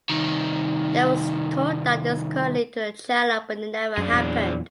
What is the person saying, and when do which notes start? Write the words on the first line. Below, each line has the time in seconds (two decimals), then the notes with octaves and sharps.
There was talk that this could lead to a channel but it never happened.
0.10 C2 D#3
3.97 F#2 D4 G#4
4.13 E2 A#2 F#3